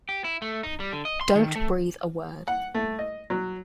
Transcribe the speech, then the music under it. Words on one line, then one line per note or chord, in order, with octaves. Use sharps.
Don't breathe a word!
G4
E4
A3
D#4
G3
D3
D#5
C6
D#3
A3
F#5
A3
D#5
F#3